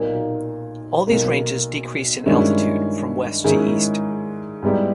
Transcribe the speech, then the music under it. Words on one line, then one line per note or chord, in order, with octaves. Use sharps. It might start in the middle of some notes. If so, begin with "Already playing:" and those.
All these ranges decrease in altitude from west to east.
Already playing: B1 A#2 A#3 D#4
B1 B2 A#3
G2 D#3 G#3 C#4 E4
G#2 D#3 G#3 C#4 E4
G#2 G3 B3 E4 G4